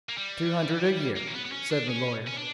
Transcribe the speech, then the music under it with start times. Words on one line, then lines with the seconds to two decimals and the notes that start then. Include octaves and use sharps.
"Two hundred a year," said the lawyer.
0.09 A#3
0.17 G3
1.16 A#3
1.26 C#4
1.34 B3
1.45 B3
1.52 C#4
1.71 D4
1.89 C#4
2.27 C#4
2.38 D4